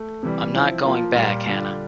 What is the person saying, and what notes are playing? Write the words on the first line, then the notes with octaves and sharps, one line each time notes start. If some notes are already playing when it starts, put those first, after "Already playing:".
I’m not going back, Hannah.
Already playing: A3
C3 E3 G3
F3 C4 E4
F3 A#3 F4
A#2 G3 A#3
D3 G3 D4 F4